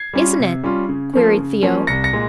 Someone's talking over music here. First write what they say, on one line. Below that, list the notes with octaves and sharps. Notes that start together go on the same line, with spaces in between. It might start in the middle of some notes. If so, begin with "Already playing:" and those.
"Isn't it?" queried Theo.
Already playing: G#6 C7
G3 C#4 F4
C3
G3 C#4 F4
C#3
F3 A#3 C#4
C#3
F3 A#3 C#4
C2 A#6 C#7
A#6 C#7
A#2 G#3